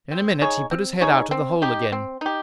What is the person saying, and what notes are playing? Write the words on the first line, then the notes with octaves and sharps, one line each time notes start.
In a minute he put his head out of the hole again.
C4
D#4 G#4 C#5
C4
D#4 G#4 C#5
C4
D#4 G4
C4
D#4 G4